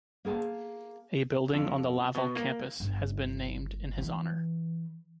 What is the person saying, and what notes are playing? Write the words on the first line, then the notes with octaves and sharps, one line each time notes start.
A building on the Laval campus has been named in his honour.
A#3 G#4 G#5 A5
F2
B2
A#3
G1
E3